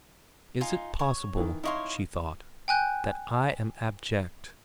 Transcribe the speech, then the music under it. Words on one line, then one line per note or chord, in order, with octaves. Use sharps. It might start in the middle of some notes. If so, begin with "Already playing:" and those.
'Is it possible,' she thought, 'that I am abject?'
D#4 F4 G#5
C#5
D#3 E3
D#4 E4 C#5 D#5 F5 C6
G5 G#5 F#6 G6